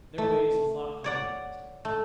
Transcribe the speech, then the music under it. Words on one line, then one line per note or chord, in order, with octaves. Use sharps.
Their ways of thought harmonized.
A3
C#5 D5 F#5
A3